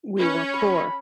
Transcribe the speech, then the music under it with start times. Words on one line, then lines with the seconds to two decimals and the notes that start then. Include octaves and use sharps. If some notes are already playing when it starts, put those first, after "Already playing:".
We were poor.
0.19 C#4 B4
0.54 B5